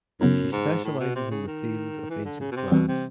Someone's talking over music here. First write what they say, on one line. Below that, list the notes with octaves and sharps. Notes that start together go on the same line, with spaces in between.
She specializes in the field of ancient glass.
F#2 C#3 F#3 B3 D#4
G#2
A2
B2
C3
C#3
D#3
E3
D3
C#3
B2
C3
B2 E3 G3 C4
C3